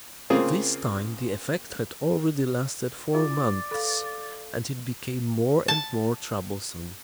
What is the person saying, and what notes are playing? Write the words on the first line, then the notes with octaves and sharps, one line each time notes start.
This time the effect had already lasted four months and it became more and more troublesome.
C#3 A#3 C4 F4 G#4
E4 F4 G#4 D5
A4 B4 F5
A5